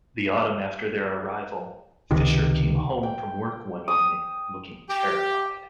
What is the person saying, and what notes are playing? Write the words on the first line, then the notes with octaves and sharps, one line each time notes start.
The autumn after their arrival, Fischer came home from work one evening, looking terrified.
C#2 C3 D#3
G5
D#6
G4